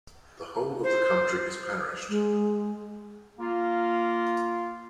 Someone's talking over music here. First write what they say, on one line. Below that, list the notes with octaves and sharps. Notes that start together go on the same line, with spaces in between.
The whole of the county is parished.
C5
G#3
A#3 F4